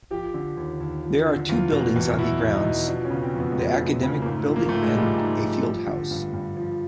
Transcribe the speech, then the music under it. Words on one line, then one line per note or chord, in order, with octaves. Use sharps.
There are two buildings on the grounds: the Academic Building and a Field House.
F3 G4
D3
D#2
D#2
F3
D3
E2 F4
B2
E2
B2 E4
E2
D#4
B2
F3 D4
C#4
C#3 B3
C4
F2
B3
G#3
F2 A3
F3
C#3
A#3
G#2 A3
F3
A#3
G#2 A3
G#3
F3 G3
G#2
F3
F3
D3
G2
G2
F3